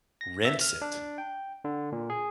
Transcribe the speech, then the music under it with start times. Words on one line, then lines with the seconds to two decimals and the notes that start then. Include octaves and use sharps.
Rinse it?
0.21 A#6
0.45 E5
0.61 F6
0.82 D4
1.18 G5
1.64 D3
1.92 A#2
2.10 G#4